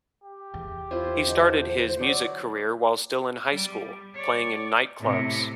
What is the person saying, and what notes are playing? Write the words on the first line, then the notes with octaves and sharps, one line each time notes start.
He started his music career, while still in high school, playing in night clubs.
G4
E2
E4 F4 C5
D3 G#3
F#3 D5
G3
C#5 D5
A2 C3